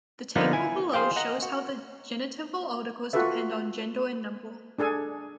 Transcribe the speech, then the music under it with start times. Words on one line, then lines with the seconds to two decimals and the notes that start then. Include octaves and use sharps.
The table below shows how the genitival articles depend on gender and number.
0.36 D3 F3 G3 A#3 B3 D#4
0.53 E4 G#5
0.94 G#4 C5 F5 G5
1.16 D#5 F#5 A#5
1.42 F#4
3.13 F4 F#4 A4 B4 E5
4.78 D4 G#4 A4 G#5